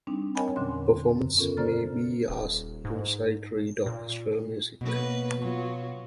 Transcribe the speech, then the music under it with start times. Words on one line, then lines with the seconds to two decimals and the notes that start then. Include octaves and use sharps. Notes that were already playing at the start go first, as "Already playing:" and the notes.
Performers may be asked to sight read orchestral music.
0.07 G3 C4 D4 D#4
0.35 A#4 C#5 D#5 G5 G#5 B5
0.56 E2 A#2 D3 F#3 C#4 C6
1.16 F#2
1.38 C#3 B3 C#4 F4 A4 A#4
1.57 C5 D5 A#5 F6 A6
2.29 D#1
2.85 G#2
3.86 A#2
4.81 B2 F#3 A#3 B4
5.37 F#3 B3 F4